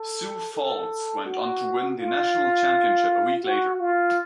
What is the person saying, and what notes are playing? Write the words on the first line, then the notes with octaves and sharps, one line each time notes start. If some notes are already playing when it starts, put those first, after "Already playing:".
Sioux Falls went on to win the National Championship a week later.
Already playing: A4
A4
F#4
F4
F#4
F4